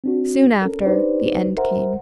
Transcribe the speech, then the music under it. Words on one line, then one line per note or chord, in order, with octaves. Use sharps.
Soon after, the end came.
C4 D4 F#4
C#4 A4 A#4
D4 D#4 G4 B4 C5 D5
A#4 C5 E5 F#5 A#5